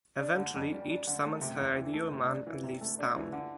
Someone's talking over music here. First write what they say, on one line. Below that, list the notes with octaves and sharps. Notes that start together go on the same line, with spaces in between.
Eventually, each summons her ideal man and leaves town.
D4
D3
F2
G3
D4
D3
A3
C3
E2
E3
A3
C3
D4
E3
C3
A3
D4
E3
D3